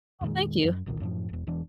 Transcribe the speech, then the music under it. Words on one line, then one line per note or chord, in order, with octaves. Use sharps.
Oh, thank you.
F2 A#2 D#3 G#3
F#2
G#1 C#2 A#2 D#3
F#2 A2 E3 F3
E1 E2
E1 E2 E3 D4